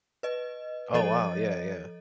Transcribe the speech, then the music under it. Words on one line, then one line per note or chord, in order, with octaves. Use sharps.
Oh, wow, yeah, yeah.
B4 D#5
F3 A4 C#5 D#5 A6 D#7